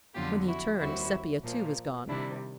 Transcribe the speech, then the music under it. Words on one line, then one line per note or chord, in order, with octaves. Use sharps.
When he turned, Sepia too was gone.
F2 D3 F#3 B3 F4 G4
E4 F#4
D#2 D#3 G3 C4 E4 F#4
A#2 F3 A#3
C3 D#3 G3 D4 E4